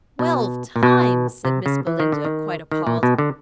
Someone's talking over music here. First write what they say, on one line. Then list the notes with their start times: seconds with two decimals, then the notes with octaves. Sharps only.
"Twelve times!" said Miss Belinda, quite appalled.
0.19 B2
0.76 A#2
0.83 B2
1.45 C3
1.66 C#3
1.87 E3
2.00 D#3
2.12 D3
2.25 D#3
2.72 D#3
2.87 A#2
3.03 B2
3.18 D3